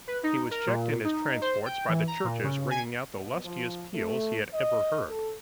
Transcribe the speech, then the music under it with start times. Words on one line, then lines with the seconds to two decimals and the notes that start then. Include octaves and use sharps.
He was checked in his transports by the churches ringing out the lustiest peals he had ever heard.
0.07 B4
0.23 D#4
0.51 A#4
0.67 A#2
1.04 D#4
1.41 C5
1.65 G5
1.88 E3
2.07 A#5
2.24 A#2
2.44 C#3
2.71 G#5
3.14 B2
3.44 F3
3.94 A3
4.54 D#5
5.08 A4